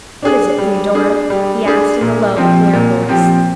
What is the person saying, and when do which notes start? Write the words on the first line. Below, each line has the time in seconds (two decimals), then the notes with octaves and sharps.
"What is it, Theodora?" he asked, in a low, clear voice.
0.22 D4 G#4
0.58 G3
0.95 D4 G#4
1.30 G3
1.65 D4 G#4
2.01 A#2
2.37 F3 C4 G4
2.73 A#2
3.09 F3 C4 G4